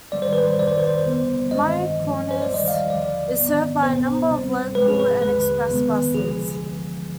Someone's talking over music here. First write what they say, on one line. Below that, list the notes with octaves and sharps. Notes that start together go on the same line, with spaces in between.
Meiers Corners is served by a number of local and express buses.
G#2 D#3 G3 D5
C5
B4
C5
G1 F2 C3 D#3 D5
C5
B4
C5
D#2 D3 G3 B3
G2 D#3 G#3 C4 D#5
G1 G2 F3
C5
D#2 D#3 G3 D5
D#5
F5
D#2 D3 F3 D5
G#2 D#3 B3
B1 B2 B3 C5
D2 C3 G3 C4
G#2 F3 G#3 B4
G#4
B4
D#2 D3 G#3 B4
F2 C3 D#3 G#3 B3
D2 D3 F3 G#3 G#4